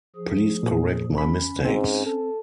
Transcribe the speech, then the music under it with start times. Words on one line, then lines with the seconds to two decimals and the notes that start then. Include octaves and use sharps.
Please correct my mistakes.
0.16 F3 G#4
0.63 A#2
1.18 C#4 B5
1.65 G#2 C4
2.06 A4